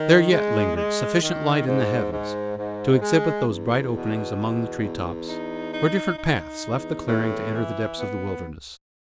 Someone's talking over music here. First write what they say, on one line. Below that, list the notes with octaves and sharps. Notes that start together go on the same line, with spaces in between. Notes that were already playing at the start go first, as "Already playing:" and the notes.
There yet lingered sufficient light in the heavens to exhibit those bright openings among the tree-tops, where different paths left the clearing to enter the depths of the wilderness.
Already playing: D#3
G#3
G#3
D#3
G#2
G#2
G#2
G#3
E2
B2
E2
E2
D#4
D#4
D#4
E2
A2
E3
B3